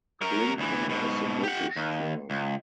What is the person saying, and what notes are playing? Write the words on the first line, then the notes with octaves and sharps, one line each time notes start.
Clinker is the British term.
F#3 A#4
D2 E3
G#2 B2
G4 F#5
D#2
C#2